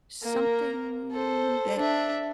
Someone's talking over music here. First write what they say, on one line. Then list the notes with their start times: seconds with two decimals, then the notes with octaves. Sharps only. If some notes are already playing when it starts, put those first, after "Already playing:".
something that
0.23 A#3 A#4
1.11 A4 C5
1.77 D4 E5